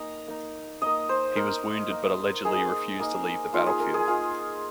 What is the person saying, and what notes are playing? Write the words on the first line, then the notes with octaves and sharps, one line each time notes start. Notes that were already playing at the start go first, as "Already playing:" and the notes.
He was wounded but allegedly refused to leave the battlefield.
Already playing: A#3 D#4 A#5
A#3 D#4
A#3 D#4 D#5
C5
A#3 D#4 A#4
A#3 D#4
A#3 D#4 G#4
A#3 D#4
A#3 D#4 F4
G#4
A#4
G#4
A#3 D#4 F4